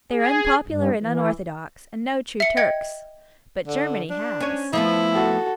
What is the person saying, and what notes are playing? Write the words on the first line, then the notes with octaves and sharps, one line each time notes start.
They are unpopular and unorthodox, and no true Turks. But Germany has.
G#4
G2
E3
E5 C#7
D#5 G5 G#6 C#7
D3
D4
C#4 C#5
F3 A3 B3 E4
F#4 A4